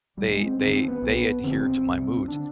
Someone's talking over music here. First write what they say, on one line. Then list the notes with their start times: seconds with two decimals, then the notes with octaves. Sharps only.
they they they adhere to my moods,
0.17 B1 B2 G3
0.31 G#3
0.46 C4
0.59 F1 D#2 D3 C4
0.73 C4
0.88 B3
1.02 B1 B2
1.43 F1 F2 D3 C4
1.86 C2 C3
2.28 D3 D4